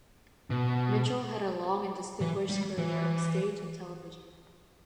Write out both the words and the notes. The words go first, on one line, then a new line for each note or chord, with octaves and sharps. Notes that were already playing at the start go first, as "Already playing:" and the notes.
Mitchell had a long and distinguished career on stage and television.
B2
E3
G3
E3